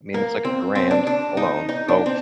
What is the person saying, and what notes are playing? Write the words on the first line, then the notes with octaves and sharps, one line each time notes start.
I mean, it's like a grand alone. So
A#3
C4
C4
D4
D4
D#4
D#4
D4
C4